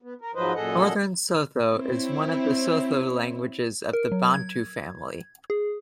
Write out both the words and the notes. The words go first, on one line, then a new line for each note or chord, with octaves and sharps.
Northern Sotho is one of the Sotho languages of the Bantu family.
B3
A#4
G#2 F3 F#3 B4 C5 D#5
F#2 A#2 G#4 A4 D#5 F#5
C4 E4 C#5
A#4
F#3
G#6
G#4